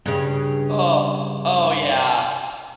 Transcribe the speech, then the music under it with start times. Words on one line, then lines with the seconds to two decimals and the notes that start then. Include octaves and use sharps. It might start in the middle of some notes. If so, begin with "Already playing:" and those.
Oh! Oh, yeah.
0.06 G2 C#3